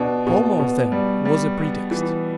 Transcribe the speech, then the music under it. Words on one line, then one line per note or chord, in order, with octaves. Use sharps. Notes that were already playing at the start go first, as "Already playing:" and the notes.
Homo, then, was a pretext.
Already playing: B2 D4
B2
B2
G3
G3
B3
E3